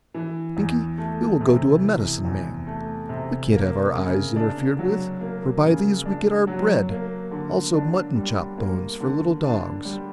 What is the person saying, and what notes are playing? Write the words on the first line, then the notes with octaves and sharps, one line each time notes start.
Binkie, we will go to a medicine-man. We can't have our eyes interfered with, for by these we get our bread; also mutton-chop bones for little dogs.'
E3
E2
A3
C3
E3
E2
A3
C3
A#3
C#3
D4
F#3
A#3
C#3
D4
F#3
A#3
D3
D4
G3
A#3
D3
D4
G3